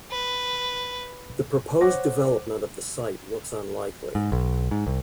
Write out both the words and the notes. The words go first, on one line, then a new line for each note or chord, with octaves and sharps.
The proposed development of the site looks unlikely.
B4
C5 C#5 F#5 D6 A#6
G#2
B1
G#2
C2